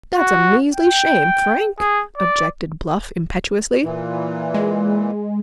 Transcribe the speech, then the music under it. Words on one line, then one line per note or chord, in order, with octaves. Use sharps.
"That's a measly shame, Frank!" objected Bluff impetuously.
F#4
G5
G#4
D5
A#2 E3
G#3